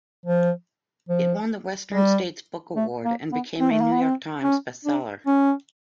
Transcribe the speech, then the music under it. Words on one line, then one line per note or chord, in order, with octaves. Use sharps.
It won the Western States Book Award and became a "New York Times" bestseller.
F3
F3
G3
A3
A#3
B3
C4
A3
A#3
B3
C4
C#4
D4
C#4